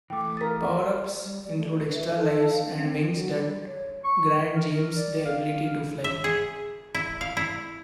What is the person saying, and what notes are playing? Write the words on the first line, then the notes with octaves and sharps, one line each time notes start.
Power-ups include extra lives and wings that grant James the ability to fly.
E3 A3 G5 D6
A#4 D#6 A6 B6
G3
D5
A3
B4
E5
A4
F5
C#4
C4
F#3
G3
C#5
C#6
A#4
D5
F5
E5
G#4
E4
F5
E4